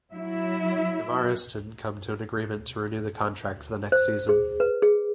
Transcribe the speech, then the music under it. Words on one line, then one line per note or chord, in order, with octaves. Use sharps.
Guimaraes didn't come to an agreement to renew the contract for the next season.
F#3 E4 E5
C5
G#4
B4
G#4